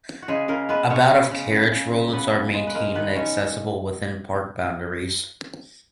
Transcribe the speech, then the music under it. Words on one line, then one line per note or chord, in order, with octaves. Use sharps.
About of carriage roads are maintained and accessible within park boundaries.
F#4
C#3 G#3 G#4
C#3 A#3 A#4
G#3 B3 B4
G#3 C#4 C#5
C#3
C#3
C#3
C#3
C#3
C#3 B3 B4
C#3
G#3
B4
G#3 A#3 A#4
D#3 B3 B4
D#3 C#4 C#5